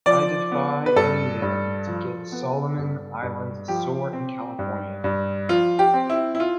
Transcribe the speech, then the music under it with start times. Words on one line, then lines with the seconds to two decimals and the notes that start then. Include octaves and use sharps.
I defy any man to get a Solomon Island sore in California.
0.06 F3 D5
0.51 B3
0.86 B4
0.96 G2 A4
1.42 G2
1.87 F3
2.32 B3
2.78 G2
3.22 G2
3.68 F3 G4
4.13 C4
4.59 G2
5.04 G2
5.49 F3 F4
5.79 G4
5.94 C4
6.10 E4
6.35 E4
6.40 F4